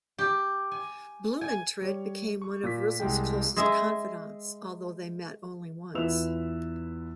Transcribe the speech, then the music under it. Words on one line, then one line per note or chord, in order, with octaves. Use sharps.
Blumentritt became one of Rizal's closest confidants although they met only once.
G4
G#5
G#5
G3 C#5
C#6
A#2 B6
C2 G#3 G5
G#3 G#4 E5
E2 E4 F4 B4 E6 F7